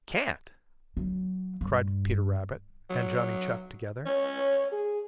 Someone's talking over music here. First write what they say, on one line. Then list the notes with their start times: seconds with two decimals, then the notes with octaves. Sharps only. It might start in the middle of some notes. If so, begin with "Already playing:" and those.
"Can't!" cried Peter Rabbit and Johnny Chuck together.
0.97 F#3
1.61 G2
2.90 F#3
4.06 C#4 C#5
4.72 G#4